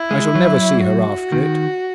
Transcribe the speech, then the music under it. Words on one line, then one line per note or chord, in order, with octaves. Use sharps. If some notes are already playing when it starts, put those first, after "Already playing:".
I shall never see her after it.
Already playing: E4
G#3
F#3
F#4
D#3